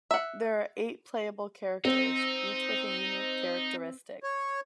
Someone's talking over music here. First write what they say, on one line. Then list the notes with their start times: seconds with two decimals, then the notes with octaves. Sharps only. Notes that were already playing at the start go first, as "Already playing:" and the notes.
There are eight playable characters, each with a unique characteristic.
0.11 E5 F#5
1.85 C4 D#4
4.23 C#5